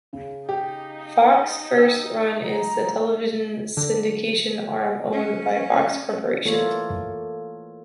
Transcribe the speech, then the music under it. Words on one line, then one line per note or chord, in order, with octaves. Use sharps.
Fox First Run is the television syndication arm owned by Fox Corporation.
C#3
D#4 G4
G5 E6
A#5
D3
C#4
E3 A3 A#3 F4 A4 C#5